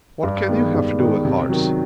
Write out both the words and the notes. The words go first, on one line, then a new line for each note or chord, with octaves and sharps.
What can you have to do with hearts?
G2
D#3 G#3 B3
G2
D#3 G#3 B3
C3
D#3 F#3